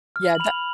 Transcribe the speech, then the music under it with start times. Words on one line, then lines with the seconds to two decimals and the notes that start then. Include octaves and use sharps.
Yeah, th
0.16 F6
0.35 F#7
0.40 B5 F7